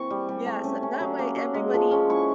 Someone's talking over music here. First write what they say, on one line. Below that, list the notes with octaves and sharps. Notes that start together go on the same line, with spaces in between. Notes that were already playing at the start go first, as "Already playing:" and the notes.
Yeah, so that way, everybody
Already playing: E3 A#3 C4 C#6
G3
G3
A3
C#4
C#4
F#3
A#3
F#3
G#3
F3
C#4
E4 C#6